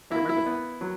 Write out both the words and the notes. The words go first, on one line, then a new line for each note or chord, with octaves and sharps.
I remember that.
A#3 E4
E4
B3
F#3